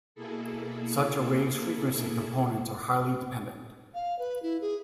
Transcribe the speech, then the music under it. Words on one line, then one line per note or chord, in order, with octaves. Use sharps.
Such a wave's frequency components are highly dependent.
B2 A#3 E4 G#4 A4
F5
B4
E4
G#4